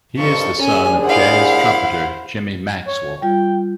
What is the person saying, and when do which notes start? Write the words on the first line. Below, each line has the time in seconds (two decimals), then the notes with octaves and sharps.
He is the son of jazz trumpeter Jimmy Maxwell.
0.18 G2 D#3 F3 A4 C#6
0.58 D#2 C#4 D4 G#4 G#5
1.05 E4 C5 F5 F#5
2.87 C#5
3.22 G3 F4 G5